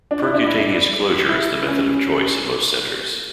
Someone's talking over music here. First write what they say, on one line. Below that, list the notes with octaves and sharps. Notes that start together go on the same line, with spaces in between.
Percutaneous closure is the method of choice in most centres.
D4
E4
D4
E4
D4
E4
C#4